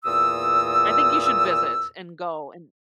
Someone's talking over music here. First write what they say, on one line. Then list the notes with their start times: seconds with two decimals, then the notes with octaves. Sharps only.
I think you should visit and go, and
0.05 E2 A#2 D#6 E6